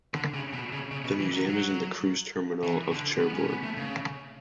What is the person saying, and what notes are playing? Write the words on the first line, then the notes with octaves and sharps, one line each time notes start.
The museum is in the cruise terminal of Cherbourg.
D3
C#3
B2
C#3
C#3
B2
E3
F#3
F#3
E3
D3
B3
C#4
B3
A3
C#3